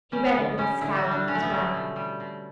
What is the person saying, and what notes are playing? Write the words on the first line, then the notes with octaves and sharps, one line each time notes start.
He read it with a scowl on his brow.
G3 C#4
D3 B3
G3 C#4
D3 E4
F#4
G3
D4
D3 C#4
A3
B3
G3
A3
B2
G3
B2